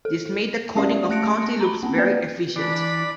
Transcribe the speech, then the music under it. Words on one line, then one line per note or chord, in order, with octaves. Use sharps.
This made the coding of counting loops very efficient.
A4
G#3 C#4 G4 D5 E5
A3 A5 F#6 A#6 C#7 D7
A#5 B5
A#3 C4 C#4
B3 B4 D5
E3 D4 D5 B5